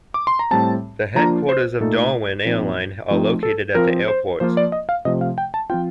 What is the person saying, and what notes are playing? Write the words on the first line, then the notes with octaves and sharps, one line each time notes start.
The headquarters of Darwin Airline are located at the airport.
D6
C6
A#5
A2 G3 C4 A5
F3 A#3 D4 F4 A#5
C5
A#2 A3 D#4 A4
A#2 F3 C4 D#4
F3 A3 C4 D#4
A4
F3 C4 F4 A#4
C5
F3 A#3 F4 C5
D5
D#5
F5
C3 F3 A3 D#5
F5
G5
A5
F3 C4 F4 G5